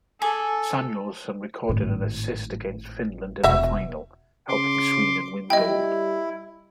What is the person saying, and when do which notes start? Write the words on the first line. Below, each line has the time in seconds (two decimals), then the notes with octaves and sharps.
Samuelsson recorded an assist against Finland in the final, helping Sweden win gold.
0.22 G#4 A4 G#5 D6
1.69 G#1 A2
3.44 E1 B3 F#4 E5
4.49 C#3 C6 D6
5.50 G3 E4 D#5 G5